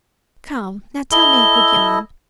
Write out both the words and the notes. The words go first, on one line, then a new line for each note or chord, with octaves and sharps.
Come, now, tell me a good yarn.
E4 A4 D#5 G7